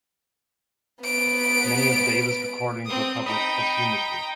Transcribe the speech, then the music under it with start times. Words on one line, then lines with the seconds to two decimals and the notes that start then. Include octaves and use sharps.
Many of Davis' recordings were published posthumously.
1.02 B3 D7
2.86 C4 D#6
3.26 D#4 G5 B5 D#6